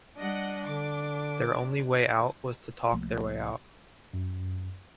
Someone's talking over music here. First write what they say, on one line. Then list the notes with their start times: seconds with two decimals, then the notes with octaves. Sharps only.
Their only way out was to talk their way out.
0.17 G3 D4 D#5 F#5
0.65 D3 D6
2.93 C2 F3 A3 A#3
4.13 F#2